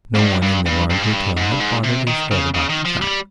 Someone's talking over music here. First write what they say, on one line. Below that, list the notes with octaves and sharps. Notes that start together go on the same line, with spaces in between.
No one in the large hotel had bothered his head about the child.
F2
G2
G2
G2
G2
G#2
G2
G#2
G2
G#2
C3
D#3
C#3
C#3
D#3
F3
G3